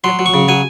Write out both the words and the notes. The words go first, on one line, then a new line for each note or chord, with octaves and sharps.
The group.
F#3 C6
F#3
C#6
C#3
F#3 G#5